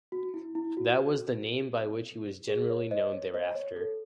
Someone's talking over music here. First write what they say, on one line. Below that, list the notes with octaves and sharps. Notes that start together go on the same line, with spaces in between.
That was the name by which he was generally known thereafter.
F#4
E4
E4
F#4
G#4
C#5
C5 D#5
C#5
C5 D#5
C#5
A4